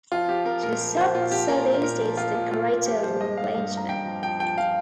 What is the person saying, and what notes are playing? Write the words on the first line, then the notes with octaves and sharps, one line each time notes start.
To the south-southeast is the crater Langevin.
F3 F4
F3 G4
F3 A#4
A#2 A#4
F3
F3 C5
A#2 F4
F3 G4
A#2 A#4
A#2
A#2 A#4
F3
F3 F4
A#2
A#2 F4
A#2
F3 G4
F3 C5
G2 D#5
G2 F5
G2 F5
G2
A#5
G2 G5
F3
F3 G5
F3 G5
F3 F5